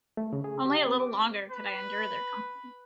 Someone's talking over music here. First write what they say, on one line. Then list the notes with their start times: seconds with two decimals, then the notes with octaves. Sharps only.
Only a little longer could I endure their company.
0.17 A3
0.33 C#3
0.44 G#4
0.66 G4
0.86 C4
1.00 D6
1.51 B4